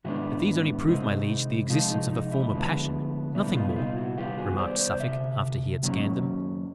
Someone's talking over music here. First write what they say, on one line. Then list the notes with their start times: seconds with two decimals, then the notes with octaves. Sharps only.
"But these only prove, my liege, the existence of a former passion--nothing more," remarked Suffolk, after he had scanned them.
0.04 G#2 D#3 G#3 B3 D4 E4 F#4
0.88 C3 D#3 G#3 C4 D#4
1.70 C3 F3 G#3 D#4 F4
1.90 D#4
2.11 D#4
2.32 E4
2.52 D2 D3 F3 G#3 B3
3.34 C2 A#2 G3 B3 D4 E4
3.55 D#4 F4
3.69 E4
3.76 D#4 F4
3.97 E4 F#4
4.17 C2 C3 D#3 G3 B3 F4 G4
4.38 F#4 G#4
4.58 C5 D5
4.79 C5 D5
5.00 D2 C3 E5
5.82 F#2 D#3 F#3 A#3 C#4